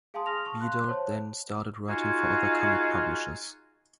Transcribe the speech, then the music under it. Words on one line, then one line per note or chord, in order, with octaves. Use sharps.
Bedard then started writing for other comic publishers.
G#4 F5 G#5 A5 C6 D#6
D#6 F6 A#6 F7
A5 C#6
F5 C6 F#6
C5 C#5 A5
G#3 D#4 F4 F#4 G#5